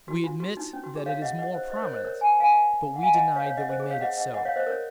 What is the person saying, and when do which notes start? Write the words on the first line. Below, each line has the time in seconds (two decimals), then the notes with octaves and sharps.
We admit that it is more prominent, but we deny that we made it so.
0.08 F#4
0.24 F4
0.40 F#4
0.57 D#4
0.73 C#4
0.84 F#4
0.95 G#4
1.06 C#5 F5
1.22 D#5 F#5
1.39 D#5 F#5
1.55 C5
1.72 C5 D#5
1.82 A#4 C#5
1.93 C5 D#5
2.04 A#4 C#5
2.21 G#5
2.40 F5 G#5
2.96 F#5
3.03 F5 G#5
3.14 D#5 F#5
3.36 C#5 F5
3.46 C#5 F5
3.57 D#5 F#5
3.69 C5 D#5
3.80 G#4
3.90 C#5 F5
4.01 D#5 F#5
4.18 D#5 F#5
4.34 D#5 F#5
4.45 C#5 F5
4.56 C5 D#5
4.67 A#4 C#5